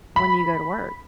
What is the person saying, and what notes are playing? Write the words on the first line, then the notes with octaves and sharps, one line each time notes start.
when you go to work,
B5